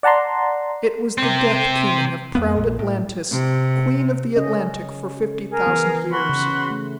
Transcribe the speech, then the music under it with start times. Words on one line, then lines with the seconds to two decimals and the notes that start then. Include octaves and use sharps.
It was the death-keening of proud Atlantis, Queen of the Atlantic for fifty thousand years.
0.03 D5 F#5 A5 A#5 C6
1.18 C3 C4
2.35 F2 A#3 B3
2.56 A#1 A#2
2.79 A2
3.32 C3
4.36 C#3 C#4 D#5
5.51 G#4 A#4
5.66 E3 B3
6.10 F#4 B5 C6
6.29 C#3
6.70 A3